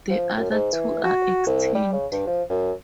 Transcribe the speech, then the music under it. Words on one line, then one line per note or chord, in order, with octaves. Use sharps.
The other two are extinct.
F3
F#2
G#2
E3
F#4
C2
G3
C#3
G2
F3
F#2